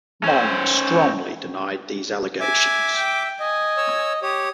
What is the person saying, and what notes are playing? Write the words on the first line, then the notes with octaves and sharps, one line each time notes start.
Mong strongly denied these allegations.
C#4 C5
E5 G#5 D6
G5
D#5 G#5
C#5 E6
G4 C#5 D#6